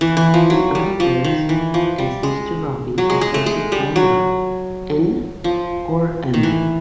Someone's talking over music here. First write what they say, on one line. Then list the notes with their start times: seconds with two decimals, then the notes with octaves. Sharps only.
In other words, as Mr Robey has said before now, N or M?
0.01 E3
0.17 E3
0.34 F3
0.50 F#3
0.75 G3
1.00 F3
1.24 D#3
1.49 E3
1.74 F3
1.98 G3
2.23 G#3
2.98 F#3
3.10 G#3
3.21 G#3
3.34 A3
3.46 G#3
3.72 G3
3.96 F#3
5.44 F3
6.34 D#3
6.43 E3